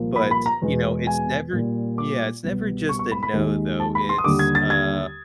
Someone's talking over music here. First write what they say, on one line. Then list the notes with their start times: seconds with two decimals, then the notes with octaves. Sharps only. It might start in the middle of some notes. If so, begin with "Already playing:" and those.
But, you know, it's never yeah, it's never just a "no," though. It's, uh
Already playing: C2 A#2 F3 A#3
0.16 B5
0.31 B5
0.46 A#5
0.62 E2 B2 G#3
1.07 G#5
1.53 A#2 G3 A#3
1.98 D6
2.44 C2 B2 G3 B3
2.89 C#6
2.99 C#6
3.12 B5
3.23 B5
3.33 D#2 D#3 G#3
3.80 A5
3.95 B5
4.09 C6
4.18 D#6
4.24 D#2 D3 G3 D6
4.39 G#6
4.55 A6
4.70 G#6